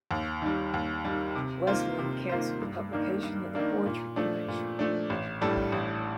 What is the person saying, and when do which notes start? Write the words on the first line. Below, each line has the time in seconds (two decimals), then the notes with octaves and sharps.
Wesleyan cancelled the publication of the poetry collection.
0.11 D#2
0.42 D#3 G3
0.74 D#2
1.05 D#3 G3
1.35 C3
1.67 D#3 A#3 F4 C5
1.99 C3
2.29 D#3 A#3 F4 C5
2.61 G2
2.92 D#3 A#3 D4
3.23 G2
3.55 D#3 A#3 D4
3.86 A#2
4.16 F3 A3 D4
4.48 A#2
4.79 F3 A3 D4
5.10 A1
5.41 A2 G3 D4 A4
5.72 A1